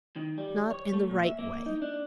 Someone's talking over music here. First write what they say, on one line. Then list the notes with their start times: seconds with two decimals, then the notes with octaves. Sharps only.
'Not in the right way.
0.16 D#3
0.38 G3
0.71 C#5
0.93 A3
1.10 A#2
1.24 E5
1.39 A#3
1.66 D#4
1.82 D4